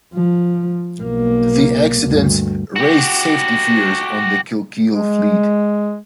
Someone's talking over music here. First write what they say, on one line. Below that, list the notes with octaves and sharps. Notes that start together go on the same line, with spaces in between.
The accidents raised safety fears on the Kilkeel fleet.
F3
B1 A#3
D2 G2
F#4 G4
G#3